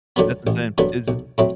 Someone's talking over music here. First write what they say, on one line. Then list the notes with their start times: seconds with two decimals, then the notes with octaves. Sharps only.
That's insane. Is i
0.16 G2 D3 F#3 B3
0.47 A1
0.78 G2 D3 F#3 B3
1.08 B1
1.38 A2 F#3 C4 E4